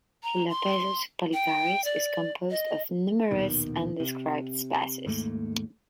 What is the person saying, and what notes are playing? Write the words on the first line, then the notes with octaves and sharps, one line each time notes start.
"Phyllopezus pollicaris" is composed of numerous undescribed species.
A#5
C6
G5
D5
D#5
A#1 D#2 B2 D#3
C3
D#2 G#2 A3 A#3